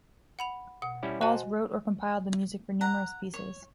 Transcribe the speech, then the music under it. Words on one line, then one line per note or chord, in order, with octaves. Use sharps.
Hawes wrote or compiled the music for numerous pieces.
F#5 B5 F7
B2 F#5
G3 C#4 E4
F#4 C5 D#5 F#5 G#5 A5
F#5 A#5
C#5